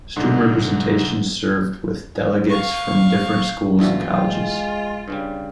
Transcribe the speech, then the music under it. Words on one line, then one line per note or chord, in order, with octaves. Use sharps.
Student representation served with delegates from different schools and colleges.
C2 G#2 D3
F5 C#6
A1 E2 D4 F4 F#4 E5
G#3 G5
G2 C#3 G3